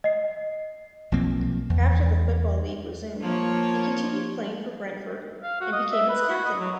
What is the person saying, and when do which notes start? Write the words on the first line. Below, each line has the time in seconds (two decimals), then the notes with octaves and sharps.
After the Football League resumed, he continued playing for Brentford, and became its captain.
0.04 D#5 C7
1.12 B1 F3 A#3 C4
1.70 E2
3.21 F3 A#3 C#5
5.43 F5
5.61 F#4
5.73 D#5
5.92 E5
6.09 B4
6.29 F#4
6.45 D#5
6.60 F#3